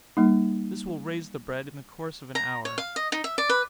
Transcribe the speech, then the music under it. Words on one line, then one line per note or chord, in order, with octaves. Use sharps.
This will raise the bread in the course of an hour.
G3 A#3 D#4
A#5
C#5
F5
D#5
D#4
E5
D5
B4